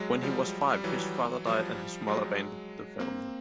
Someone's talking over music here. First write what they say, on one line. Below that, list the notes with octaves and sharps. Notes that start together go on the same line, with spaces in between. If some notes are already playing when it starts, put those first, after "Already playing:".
When he was five, his father died, and his mother abandoned the family.
Already playing: F#3 G#3
F3 G3
G3
E3 F#3
F3 G3
F#3 G#3
A#3 C4